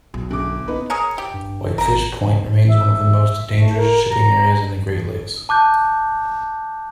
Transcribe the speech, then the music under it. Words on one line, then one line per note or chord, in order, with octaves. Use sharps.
Whitefish Point remains one of the most dangerous shipping areas in the Great Lakes.
B1
G1 D6
B3 D#4 B4
G#4 A#4 C#5
G4
G2
G#1 A#4 A#5
E5
A3
A#4
A#5
A5 D6 F#6 G6